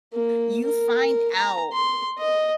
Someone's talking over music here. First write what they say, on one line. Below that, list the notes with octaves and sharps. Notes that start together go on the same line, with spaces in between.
you find out
A#3
A#4
A#5
C6
D#5